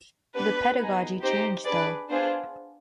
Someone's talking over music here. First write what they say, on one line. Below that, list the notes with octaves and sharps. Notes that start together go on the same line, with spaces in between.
The pedagogy changed though.
B3 D4 G4 B4
B3 D#4 G#4
C4 D#4 G4 C5
D4 G#4 B4 D5
B3 D4 F4 G#4 C5